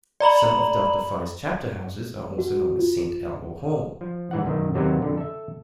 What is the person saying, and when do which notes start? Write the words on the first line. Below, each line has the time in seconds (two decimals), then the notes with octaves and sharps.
Some of Delta Phi's chapter houses are also known as "Saint Elmo Hall".
0.20 D5 A#5 B5 F#7
2.39 F#4
2.79 F4
4.01 F3
4.31 G#2 E3 F#5
4.45 B1 F#2 D#3
4.74 D#2 C3 F#3 A#3 B3
5.02 F2 D3
5.17 A4 E5